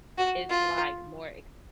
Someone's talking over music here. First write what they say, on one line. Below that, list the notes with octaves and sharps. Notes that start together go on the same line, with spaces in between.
it's like more
F#4
F4